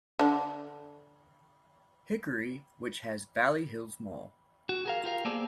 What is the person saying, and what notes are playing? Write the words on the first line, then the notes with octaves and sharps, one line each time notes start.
Hickory which has Valley Hills Mall.
D3 D4
F#4
G#4 A#4 F5
F4 G4 A#4 F5
A#3 B3 G#4 A4 C5 D5